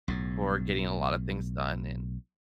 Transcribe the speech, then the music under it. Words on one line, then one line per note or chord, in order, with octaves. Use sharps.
for getting a lotta things done and
B1 A2